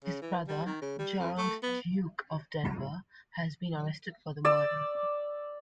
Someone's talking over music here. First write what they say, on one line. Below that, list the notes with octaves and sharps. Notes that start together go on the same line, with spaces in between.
His brother, Gerald, Duke of Denver, has been arrested for the murder.
C#3
E3
G3
D#3
C#3
G3
F2
A3
B3
D5 E6